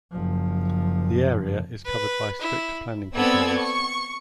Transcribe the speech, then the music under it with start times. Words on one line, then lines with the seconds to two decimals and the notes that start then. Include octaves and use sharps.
The area is covered by strict planning controls.
0.11 F#1 F3
1.85 B4
2.41 E4
3.14 B3 C4 A4 D5 E6 G#6
3.58 C#6